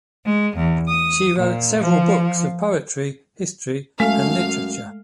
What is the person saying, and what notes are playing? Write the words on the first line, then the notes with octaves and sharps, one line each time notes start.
She wrote several books of poetry, history and literature.
G#3
E2
D#6
A#2
F3
F#2 G#3 A3 F5